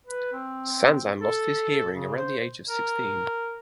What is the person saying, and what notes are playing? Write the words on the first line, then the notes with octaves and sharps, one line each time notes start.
Sanzan lost his hearing around the age of sixteen.
B4
C4
A4
C#3
C5
A#4